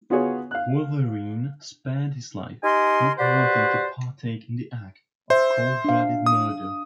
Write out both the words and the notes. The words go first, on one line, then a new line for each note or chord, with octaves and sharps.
Wolverine spared his life, not wanting to partake in the act of cold-blooded murder.
B3 F4 F#4 G#4 C#5
F5 F#6
D#4 G4 A#4 G#5 C6
F#4 G4 B4 C5 D5
C5 E5
D4 F5
D#6